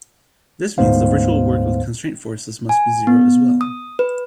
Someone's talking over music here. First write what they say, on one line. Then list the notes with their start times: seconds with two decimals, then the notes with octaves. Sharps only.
This means the virtual work of the constraint forces must be zero as well.
0.78 D2 G#2 B3 C5 F5
2.69 G#5
3.07 B3
3.61 D#6
3.99 B4